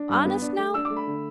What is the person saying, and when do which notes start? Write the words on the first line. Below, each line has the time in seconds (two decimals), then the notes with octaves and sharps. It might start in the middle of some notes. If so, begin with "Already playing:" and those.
"Honest, now?"
Already playing: D4
0.09 G2
0.25 B3
0.42 D4
0.58 A3
0.74 D4 E6
0.85 D6
0.90 A3
0.97 B5
1.07 D3